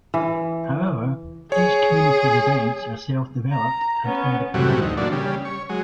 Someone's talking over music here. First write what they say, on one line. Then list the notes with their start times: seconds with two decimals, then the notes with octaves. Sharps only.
However, each community's events are self developed and independent.
0.14 E3
1.52 G#4 C#5
3.52 A#5
4.05 B3 C#4
4.54 F#2 A2 C3 E3 G3 F#4
4.81 D2 D#4
4.97 A#2 D3 E3 F#3 D4
5.12 C#3 G3
5.45 C#5
5.69 F#3 G#3